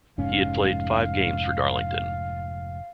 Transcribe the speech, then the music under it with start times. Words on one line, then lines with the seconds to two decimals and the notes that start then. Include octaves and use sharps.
He had played five games for Darlington.
0.18 F1 G#2 C#4 F5